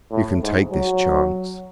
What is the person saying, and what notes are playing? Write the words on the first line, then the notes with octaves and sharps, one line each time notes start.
You can take this chance.
A2
G#2
F#3